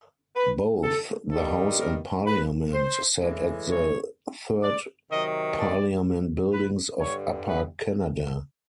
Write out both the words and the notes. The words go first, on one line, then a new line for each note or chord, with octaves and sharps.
Both the House and Parliament sat at the third Parliament Buildings of Upper Canada.
B4
A4
G2 D#3 G3 A4
A#4
B4
C5
A2 E3 G#3
C#5
D5
C3 D#3 F#3 D#5
D5
B4
G2 D3 G3 C#5
B4